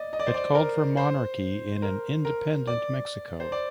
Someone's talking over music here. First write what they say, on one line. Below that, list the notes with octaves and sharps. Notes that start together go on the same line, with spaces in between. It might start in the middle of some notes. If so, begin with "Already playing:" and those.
It called for monarchy in an independent Mexico.
Already playing: D5 D#5
D#5
D5
C5
D5
A#4
C5
A#4
A#4
D5
C5
D5